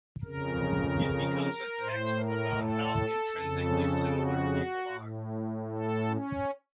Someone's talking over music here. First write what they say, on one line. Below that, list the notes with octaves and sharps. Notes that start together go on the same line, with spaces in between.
It becomes a text about how intrinsically similar people are.
F2 C#3 A#4
A2 C5
A#4
A4
F2 C#3
F#4
A2
A4
C#4